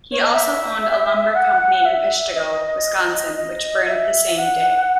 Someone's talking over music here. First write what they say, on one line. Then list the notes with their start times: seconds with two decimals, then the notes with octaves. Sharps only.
He also owned a lumber company in Peshtigo, Wisconsin, which burned the same day.
0.11 C#5
0.22 D#5
0.33 E5
1.35 F#5
1.85 E5
2.36 D#5
3.37 D#5
3.87 E5
4.38 F#5